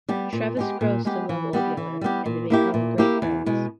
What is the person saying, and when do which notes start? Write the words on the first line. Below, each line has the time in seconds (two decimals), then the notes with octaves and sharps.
Travis grows to love Old Yeller, and they become great friends.
0.08 G3 B3 G4
0.33 A#2
0.57 G#3 B3 G4
0.81 A#2
1.05 G#3 B3 G4
1.29 E3
1.53 G3 B3 G4
1.77 E3
2.01 G3 B3 G4
2.26 A#2
2.50 A#3 E4 G4
2.74 A#2
2.98 A#3 E4 G4
3.22 E2
3.46 B2 G#3